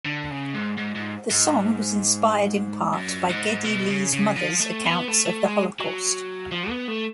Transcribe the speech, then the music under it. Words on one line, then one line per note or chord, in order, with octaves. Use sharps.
The song was inspired in part by Geddy Lee's mother's accounts of the Holocaust.
D3
C#3
G#2
G#2
G#2
G#2
F#2
G#2
B2
C#3
C#3
F3
A3
B3
A3
A3
G#3
F#3
F3
B3
A3